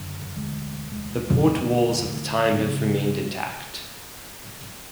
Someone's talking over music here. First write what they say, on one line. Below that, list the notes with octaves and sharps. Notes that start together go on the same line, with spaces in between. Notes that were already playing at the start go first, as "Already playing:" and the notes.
The port walls of the time have remained intact.
Already playing: F#1 F#2 D3
E1 D2 D3 G#3
E1 D2 D3 G#3
E2 D3 A3
E2 D3 A3
C#3 F#3 B3